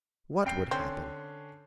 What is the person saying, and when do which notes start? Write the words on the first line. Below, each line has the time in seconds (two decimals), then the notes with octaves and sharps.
"What would happen?"
0.45 F1 G5 C7
0.71 D3 C4 C#4